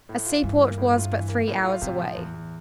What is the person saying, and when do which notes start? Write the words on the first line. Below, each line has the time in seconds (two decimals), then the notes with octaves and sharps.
A seaport was but three hours away.
0.09 A2
0.26 F4
0.43 G2 E3
0.60 A#3
0.78 A2
0.95 F4
1.12 E3
1.29 A#3
1.48 A2
1.64 F4
1.82 A2 C3
1.98 F3
2.16 E2
2.34 E2